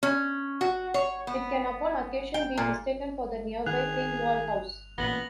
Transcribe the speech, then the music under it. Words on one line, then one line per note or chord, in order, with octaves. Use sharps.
It can upon occasion be mistaken for the nearby Thingwall House.
C#4
F#4
C#5
B3
G5
A#2
D#3 G#4 F#6 F7
A1 A#2 B3 A#6 F#7